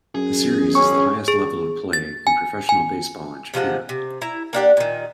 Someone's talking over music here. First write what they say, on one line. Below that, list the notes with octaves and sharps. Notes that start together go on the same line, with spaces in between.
The Series is the highest level of play in professional baseball in Japan.
F#2 G#4
C#4 C#6
G#4
A6
G#5
G#5
C3 F3 G#3 F#5
C3
E4 A#5
A#3 D4 G4 F#5
A#2 D#3